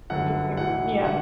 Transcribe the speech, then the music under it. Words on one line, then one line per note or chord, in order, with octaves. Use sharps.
Would you agree with yeah.
G1 F#2 D3 F#5
B1 A2 E3 F#5
D3 F#5